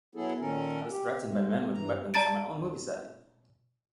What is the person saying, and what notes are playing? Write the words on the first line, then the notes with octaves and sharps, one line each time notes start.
I was threatened by men with weapons on my own movie set.
F#3 B3 E4 G#4 A4
A#2 D#3 C#4 A4 A#4
G4
G#3 A3
G2 E3 A#5
D5 A5 A#5 A6 D7